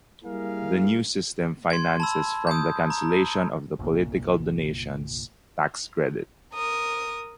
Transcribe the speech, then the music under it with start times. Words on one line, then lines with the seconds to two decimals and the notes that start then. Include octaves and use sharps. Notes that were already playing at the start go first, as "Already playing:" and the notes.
The new system finances from the cancellation of the political donations tax credit.
0.24 G3 A#3 E4 G#4 A#4 F5
1.70 C6 G#6
2.00 A5 B5 E6
2.47 D#6 G6
2.90 A#5
3.79 G1 C2 A#2
6.53 A#4 D#6